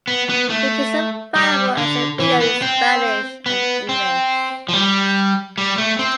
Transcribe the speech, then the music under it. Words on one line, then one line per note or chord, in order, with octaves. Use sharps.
It is available as a video in Spanish and English.
B3
B3
A3
G3
D3
E3
B3
C4
B3
C4
F3
G3
G3
A3
C4